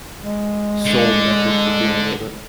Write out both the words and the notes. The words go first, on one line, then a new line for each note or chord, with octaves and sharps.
sole method for dealing with it.
G#3
D3